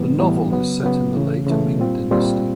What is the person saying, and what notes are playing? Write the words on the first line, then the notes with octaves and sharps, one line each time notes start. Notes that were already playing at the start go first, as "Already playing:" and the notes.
The novel is set in the late Ming dynasty.
Already playing: A2 E3 G3 B3
A2 E3 G3 B3
C#3 F#3 B3
C#3 F#3 B3
C#3 E3 A3
C#3 E3 A3
A#2 G3 C4 F4
A#2 G3 C4 F4